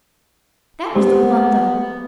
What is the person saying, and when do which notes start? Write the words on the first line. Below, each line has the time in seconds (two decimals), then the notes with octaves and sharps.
That was the blunder.'
0.95 G#3 B3 G4 C5